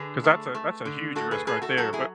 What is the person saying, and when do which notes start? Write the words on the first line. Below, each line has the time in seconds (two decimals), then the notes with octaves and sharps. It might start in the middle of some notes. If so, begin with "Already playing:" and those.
'cause that's a that's a huge risk right there, but
Already playing: D3 G#4 B4
0.24 A3
0.55 A3
0.85 D3
1.15 A3 F#4 A4
1.31 G#4 B4
1.47 A2 G#4 B4
1.62 F#4 A4
1.77 F#3 F#4 A4
1.93 E4 G#4